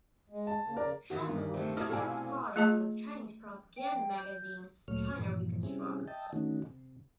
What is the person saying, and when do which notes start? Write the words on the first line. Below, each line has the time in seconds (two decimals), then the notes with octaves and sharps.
Shulman worked as a text-polisher for Chinese propaganda magazine "China Reconstructs".
0.30 G#3
0.47 A5
0.64 C#3 A#3
0.76 C#3 A#4 D5
1.10 D#2 D#3 E3 F#4
1.26 G2
1.54 C3 A3
1.77 E4 F#4 A4 D5 D#5 F6 G#6
1.89 B2 C4 A4 D5 F5 G#5
2.56 A3 F4 G#4 D#5 A5
3.76 G5
4.17 G6
4.88 D2 A#2 F#3 A3 C#5 F6
5.16 G2 A#2 E3 F3
5.63 C3 G3 C4 C#4 E4 G#4
6.08 D#5 E5 G5 A5
6.33 D3 D#3 A3 C#4 D#4 F#4
6.67 C3